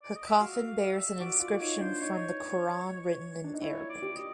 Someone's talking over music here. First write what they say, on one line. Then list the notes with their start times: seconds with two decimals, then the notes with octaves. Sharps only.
Her coffin bears an inscription from the Quran written in Arabic.
0.03 D5
0.15 D#5
0.27 E5
0.39 F#4 F5
0.67 F5
0.93 E5
1.20 F#4 D5
1.40 F4 D5
1.60 D#4 C#5
1.81 D4 C5
2.01 D#4 C#5
3.44 D4
3.54 D#4
3.62 E4 C#5
3.89 D5
4.02 G4
4.16 D#5